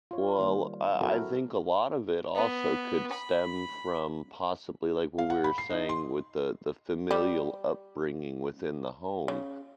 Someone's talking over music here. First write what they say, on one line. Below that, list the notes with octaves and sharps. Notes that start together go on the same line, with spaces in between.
Well, uh, I think a lot of it also could stem from, possibly, like, what we were saying with the the familial upbringing within the home,
F4 C#5
D#3 G3 A#3 C5
F#3 C4 E4 F#4 A4 A#4
B3
B5
F5
F#5
B5
C7
D#4
C6
G3
C#3